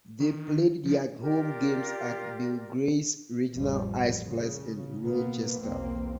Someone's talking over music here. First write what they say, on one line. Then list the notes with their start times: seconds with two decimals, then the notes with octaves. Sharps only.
They played their home games at Bill Gray's Regional Iceplex in Rochester.
0.20 D#3
0.85 F3
1.20 F4 G4 A#4 D5
3.54 A1 F2 F3 G3
4.23 A2 C#3
5.04 B2 A#3 B3
5.61 B1 E2 A#3 C4